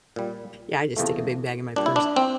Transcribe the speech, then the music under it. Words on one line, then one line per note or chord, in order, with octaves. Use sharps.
Yeah, I just stick a big bag in my purse,
A#2 G3
E2 C3 F3 A3
A#2 G3 D4
E4
D4
C4